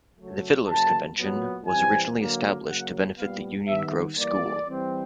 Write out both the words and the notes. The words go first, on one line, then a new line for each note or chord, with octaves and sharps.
The Fiddler's Convention was originally established to benefit the Union Grove school.
C#3 F#3 A3
C#3 F#3 A#3 A5
A#2 F#3 B3
C3 E3 G3 C4 G#5
D3 F#3 A#3
C#3 F#3 A#3 F#5
A#2 G3 B3 F5
D#3 G3 B3 E5
E3 G3 A#3 D5
E3 G3 C4